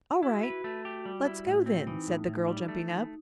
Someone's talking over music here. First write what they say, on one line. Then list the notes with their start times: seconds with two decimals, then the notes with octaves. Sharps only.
"All right; let's go, then," said the girl, jumping up.
0.23 E4 F#4
0.43 B4
0.64 A3
0.85 G4
1.05 G3
1.25 E4
1.46 A2
1.66 C4
1.87 E3 D#4
2.07 A2
2.27 A2
2.47 G3
2.68 A3
2.89 E3